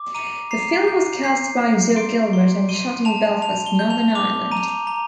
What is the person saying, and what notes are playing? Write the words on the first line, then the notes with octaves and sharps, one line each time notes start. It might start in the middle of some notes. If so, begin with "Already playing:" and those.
The film was cast by Jo Gilbert and shot in Belfast, Northern Ireland.
Already playing: D6
A#5 D#7
A#5 C7
G6
G6 C7
G6
C6 D7
C6
C6 D#7
A5 F7
A5 F7
G7
G6
F7
D6 F7
A#5 D#7
A#5